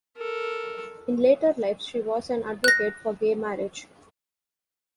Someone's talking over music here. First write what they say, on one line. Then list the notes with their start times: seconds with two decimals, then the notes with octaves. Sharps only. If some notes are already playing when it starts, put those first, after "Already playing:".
In later life, she was an advocate for gay marriage.
0.17 A4 A#4
2.64 F#6 A#6